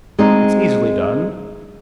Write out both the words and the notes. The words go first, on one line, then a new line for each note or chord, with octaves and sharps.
It's easily done.
G#3 C4 D#4